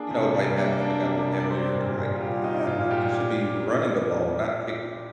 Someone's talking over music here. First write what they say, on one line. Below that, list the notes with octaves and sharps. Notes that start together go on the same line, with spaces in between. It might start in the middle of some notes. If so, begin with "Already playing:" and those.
you know, life happened, I got a little heavier, and they're like, "I think he should be running a ball, not kicking one."
Already playing: A#3 D4 G#4
C3
G3
A#3
D4
C3
G3
D5
C4 C5
A#2 A#4
A#2 G#4
F4
G3 G4
C4 D#4
A#2 F4
A#2 G4